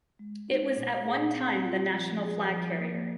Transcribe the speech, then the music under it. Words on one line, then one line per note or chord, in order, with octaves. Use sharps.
It was at one time the national flag carrier.
G#3
D#4
A#2
G#4
C4
F4
F3
G#4
F3
A#3